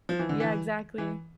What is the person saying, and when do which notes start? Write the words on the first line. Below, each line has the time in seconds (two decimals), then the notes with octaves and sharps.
Yeah, exactly.
0.09 F3
0.19 E3
0.29 D3
0.40 E3
0.98 E3